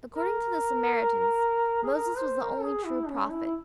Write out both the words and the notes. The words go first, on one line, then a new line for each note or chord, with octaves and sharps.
According to the Samaritans, Moses was the only true prophet.
A#4
G#4
A#4
C5
A#4
G#4
E4
C#4
E4
E4